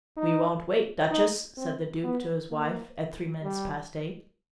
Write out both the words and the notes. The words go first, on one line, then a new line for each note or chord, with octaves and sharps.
"We won't wait, Duchess," said the Duke to his wife at three minutes past eight.
D#4
D#4
C4
B3
A#3
G3